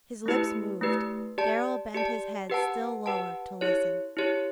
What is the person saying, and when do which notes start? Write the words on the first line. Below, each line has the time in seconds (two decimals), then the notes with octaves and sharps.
His lips moved; Darrell bent his head still lower to listen.
0.26 A3 E4 G4 B4
0.81 A3 E4 G4 B4
1.38 G4 D5 A5
1.94 G4 D5 A5
2.50 G4 B4 F#5 A5
3.06 G4 B4 F#5 A5
3.61 E4 G4 C#5
4.17 E4 G4 C#5